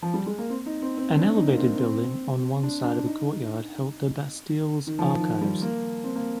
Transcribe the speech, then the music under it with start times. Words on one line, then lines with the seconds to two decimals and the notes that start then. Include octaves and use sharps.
An elevated building on one side of the courtyard held the Bastille's archives.
0.02 F3
0.14 G3
0.26 G#3
0.38 A#3
0.50 C4
0.66 D#4
0.82 C4
0.97 C4
1.14 D4
1.35 D#4
1.47 A#3
1.57 C4
1.77 C4
2.63 D4
2.84 D4
3.06 D#4
4.87 D#3
4.99 F3
5.20 D#3
5.41 G3
5.62 A#3
6.04 C4
6.16 A#3